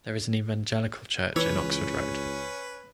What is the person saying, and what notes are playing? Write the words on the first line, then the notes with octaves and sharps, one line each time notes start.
There is an Evangelical church in Oxford Road.
C#2 E3 C#4 B4 C#5